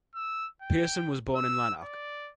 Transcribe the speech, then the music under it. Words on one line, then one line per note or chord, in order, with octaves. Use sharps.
Pearson was born in Lanark.
E6
G5
E6
D5